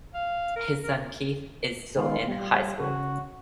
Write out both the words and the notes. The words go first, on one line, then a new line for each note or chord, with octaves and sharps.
His son Keith is still in High School.
F5
A#4
A#4
D#3 G#3 B3 F4
G3 F4
C#3 F#4